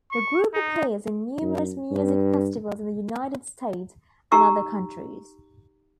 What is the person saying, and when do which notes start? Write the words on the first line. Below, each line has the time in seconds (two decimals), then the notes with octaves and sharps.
The group appears in numerous music festivals in the United States and other countries.
0.11 C#6
0.54 D#4
1.42 F#2
1.91 G2
4.32 D#4 G4 A#5 C#6 E6